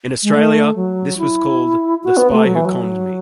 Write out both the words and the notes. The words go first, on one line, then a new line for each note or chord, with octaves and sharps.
In Australia, this was called "The spy who conned me".
G#3
A3
F#3
E4
F#4
B3
A3
F#3
E3
F#3